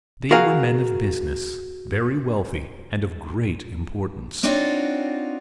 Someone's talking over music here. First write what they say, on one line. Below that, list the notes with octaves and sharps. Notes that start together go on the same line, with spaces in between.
They were men of business: very wealthy, and of great importance.
F#4 G#4 A#4 F5
C4 D4 D#4 F4 F#4 C#5